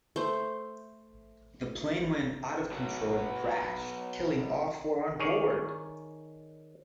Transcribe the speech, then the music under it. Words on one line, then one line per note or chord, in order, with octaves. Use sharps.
The plane went out of control and crashed, killing all four on board.
A3 C5
B2 F#3
D#3 G#4 C#5 D5